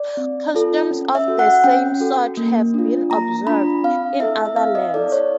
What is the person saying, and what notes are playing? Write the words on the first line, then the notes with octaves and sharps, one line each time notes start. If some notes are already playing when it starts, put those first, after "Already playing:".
Customs of the same sort have been observed in other lands.
Already playing: D5
C4
F4 A4
C#4
E5
F#4 A4
F#5
C#4 G5
F#4 A4
A#3
D4 F4
A#3 A#5
D4 F4 B5
C4 F5
E4 A4 E5
E5
C4 F5
D#5
E4 A4 D5
C#5